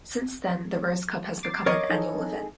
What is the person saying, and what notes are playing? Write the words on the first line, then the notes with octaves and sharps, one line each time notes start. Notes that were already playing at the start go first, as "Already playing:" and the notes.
Since then, the Rose Cup has become an annual event.
D6 A6 C7
A#4 C#5 D#5
D#4 G#4 A4